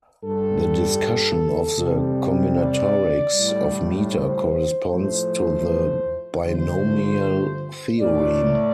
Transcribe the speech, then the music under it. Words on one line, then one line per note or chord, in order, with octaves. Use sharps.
The discussion of the combinatorics of meter corresponds to the binomial theorem.
G2 G3 A4
C3 G3
D5
A2 G3
C5
A2 F3 A3 C5
G2 D3 F3 A3 C5
A2 A3 D5